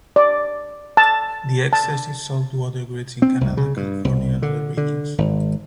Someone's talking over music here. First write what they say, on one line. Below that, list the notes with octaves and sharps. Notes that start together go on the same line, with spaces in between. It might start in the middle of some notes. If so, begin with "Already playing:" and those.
The excess is sold to other grids in Canada, California and other regions.
D5
A5
A5
C4
C2
C#3
G2
C2
D3
D3
G#1